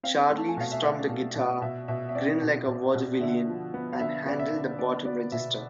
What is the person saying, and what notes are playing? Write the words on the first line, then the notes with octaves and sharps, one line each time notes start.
Charlie strummed a guitar, grinned like a vaudevillian and handled the bottom register.
C4 F5
A3
A5
G#5
B2 F5
E5
A3 D5
B2
B2
B2 E5
B2 E5
E5
C4 D5
B2
B2
B2
D3 E5
F3
B3
F5
D3 E5
B3 D5
E5
D3
B3 D5
B3 D5
B2 E5